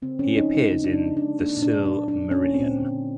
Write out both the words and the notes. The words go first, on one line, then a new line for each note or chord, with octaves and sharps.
He appears in "The Silmarillion".
C#3 C4
F3 C#4
F3 D#4
G#3 D#4
C#3 D#4
C#3 D4
D#4
F3
D4
G#3
A#3 D4
A#2
D4
A#2
D4
F#3
F#3 D4
F#3
C#4
A#3
C4
A#2
D3
D3